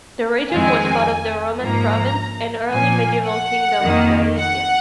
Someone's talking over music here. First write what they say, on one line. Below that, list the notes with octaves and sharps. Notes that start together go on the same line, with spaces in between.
The region was part of the Roman Province and early medieval Kingdom of Gallaecia.
F2 D#3 G#3 C4 G#5
G#2 F3 A#3 A#5
A#2 F3 A#3 G#5
F#5
F2 D#3 A#3
F#5